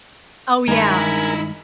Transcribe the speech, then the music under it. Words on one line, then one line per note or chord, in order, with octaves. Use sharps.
Oh, yeah,
G2 D#3 G#3 D#4 E4 A#4 G#5